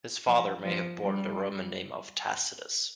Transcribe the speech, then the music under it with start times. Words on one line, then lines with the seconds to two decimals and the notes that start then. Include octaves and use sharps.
His father may have borne the Roman name of "Tacitus".
0.26 F3
0.64 F3
1.00 G3